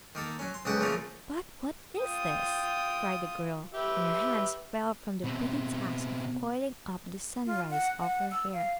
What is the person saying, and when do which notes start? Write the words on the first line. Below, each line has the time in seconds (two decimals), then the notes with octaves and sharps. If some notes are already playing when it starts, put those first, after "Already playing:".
"But what is this?" cried the girl, and her hands fell from the pretty task of coiling up the sunrise of her hair.
0.15 D#3 A#3 A4
0.39 F#3 C#4
0.54 C6
0.65 B1 G#2 C#3 C#4 F#5 G5
0.80 C#3 F3 F#3 A3 A#3 C#4
2.00 F4 G5 D#6
3.74 G4 B4 E5
5.24 B2 C4
7.46 F4
7.70 F#5
7.99 F#5
8.31 E6
8.53 F5